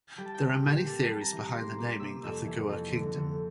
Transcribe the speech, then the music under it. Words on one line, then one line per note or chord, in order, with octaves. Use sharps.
There are many theories behind the naming of the Gour kingdom.
G3 G5
A5
G5
C4
A#2
G5
G3 A5
G3 A5
A#5
E3
A#5
A#3 C6
A#3
C3 E6
F2 E6
E3
F2
D3
D3